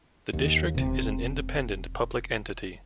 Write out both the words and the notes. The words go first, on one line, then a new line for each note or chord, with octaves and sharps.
The district is an independent public entity.
D#2
E1 C3